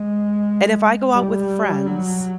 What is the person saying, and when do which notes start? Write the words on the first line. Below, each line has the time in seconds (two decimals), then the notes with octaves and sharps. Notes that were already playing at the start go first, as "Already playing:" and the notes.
and if I go out with friends,
Already playing: G#3
1.14 G3
1.86 F#3